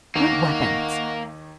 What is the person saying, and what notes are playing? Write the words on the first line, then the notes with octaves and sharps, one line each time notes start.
"What weapons?"
D#2 D#3 A#3 D#5 F#5 C#6